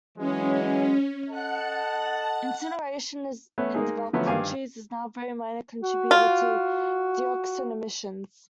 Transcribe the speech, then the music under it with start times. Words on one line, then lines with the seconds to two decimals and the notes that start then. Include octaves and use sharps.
Incineration in developed countries is now a very minor contributor to dioxin emissions.
0.18 E3 F#3 G#3 C#4
1.30 A4 D#5 F#5 A5 F#6
3.58 A3 B3 C#4
3.74 G#3 A#3 D#4 G#4
4.13 D3 F3 F#3 A3 B3 C#4
4.27 G#1 G2 F5 G#5 D6
5.83 F#4
6.11 F4